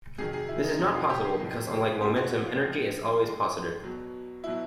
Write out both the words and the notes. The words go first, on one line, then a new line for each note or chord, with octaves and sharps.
This is not possible, because, unlike momentum, energy is always positive.
F2 C3 D#3 F#3 G#4
G#4
E4
D#4
F2 C3 D#3 F#3 D#4
F4
G4
G#4
F2 C3 D#3 F#3 G#4
G#4
F2 C#3 F3 G#3 G4
F#4
F#4
F4
A2 F3 G#3 F4
G2 D#3 G#3
B2 F#3
B2 F#3 E4